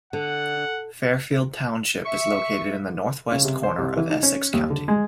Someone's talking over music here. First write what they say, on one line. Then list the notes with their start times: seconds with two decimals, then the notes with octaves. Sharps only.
Fairfield Township is located in the northwest corner of Essex County.
0.13 D3 F#5
2.05 E5 C#6
3.32 C#3
3.45 C3
3.63 C5
3.78 C2
3.97 E3
4.10 D#4
4.23 C#4
4.53 D#2
4.70 D3
4.88 G#3